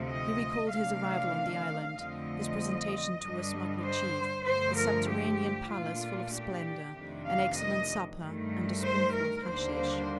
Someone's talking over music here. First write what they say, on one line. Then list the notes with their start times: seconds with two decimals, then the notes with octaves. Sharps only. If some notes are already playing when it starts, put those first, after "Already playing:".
He recalled his arrival on the island, his presentation to a smuggler chief, a subterranean palace full of splendor, an excellent supper, and a spoonful of hashish.
Already playing: D2 C3 F3 A3 C4
0.09 D#5
0.71 C3 D#3 A3 D4 F5
1.96 F2 D3 F3 A3 C4 D#5
3.21 G2 D3 G3 D4
3.84 C5
4.45 G2 D3 F3 A3 C5
4.77 A#4
5.09 G4
5.70 A#2 A3 D4 F4
6.33 G4
6.95 F2 C3 D#3 A3 D4
7.27 F5
7.58 D#5
8.20 G2 D#3 A3
8.83 C5
9.14 A#4
9.45 D#2 D3 G3 A#3 D4 C5
9.77 C5